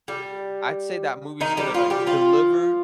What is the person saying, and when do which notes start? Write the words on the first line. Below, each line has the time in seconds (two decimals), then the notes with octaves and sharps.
I'd say that movie's gonna, like, deliver
0.08 G3
1.41 D#3 D#4
1.57 G3 G4
1.74 F3 F4
1.90 G3 G4
2.07 F3 F4